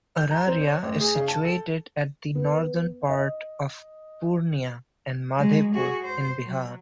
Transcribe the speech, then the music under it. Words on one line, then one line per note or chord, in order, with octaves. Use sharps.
Araria is situated at the northern part of Purnia and Madhepura in Bihar.
G6
A#5
C4
C#5
A1
G#4
C#3
A5
A4
B3
D#5
F#3 G#3
F#4 G#4
C5
F#3